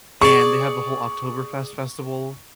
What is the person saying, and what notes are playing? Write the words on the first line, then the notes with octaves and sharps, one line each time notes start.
and they have the whole Oktoberfest festival
G#4 D5 C#6